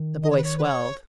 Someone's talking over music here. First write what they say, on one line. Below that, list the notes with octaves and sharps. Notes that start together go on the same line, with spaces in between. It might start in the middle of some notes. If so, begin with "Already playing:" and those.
The boy swelled.
Already playing: D#3
D#5
C#5
B4
C#5
B4
C#5